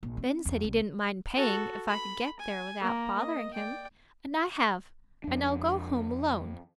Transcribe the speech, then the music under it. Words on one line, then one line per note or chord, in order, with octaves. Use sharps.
Ben said he didn't mind paying, if I could get there without bothering him, and I have; and I'll go home alone.
A#1
C4
E2
C2
F#4 A4
B5
G#5
A#3 A#4
D#5
D5 G5
F2 D4